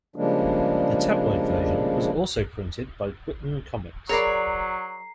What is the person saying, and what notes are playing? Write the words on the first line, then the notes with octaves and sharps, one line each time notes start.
The tabloid version was also printed by Whitman Comics.
C#3 F3 G3 G#3 A#3 D4
F#3 G#4 A#4 C#5 D5 A#5 B5 C7